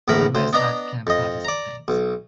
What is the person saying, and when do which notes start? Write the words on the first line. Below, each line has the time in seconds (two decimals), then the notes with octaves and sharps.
Every website can participate.
0.08 A#1 E2 A2 A#4 B5
0.35 D2 C5
0.53 B3 D4 D#5 A#5
1.07 F2 D#5
1.45 D5 A#5
1.88 B1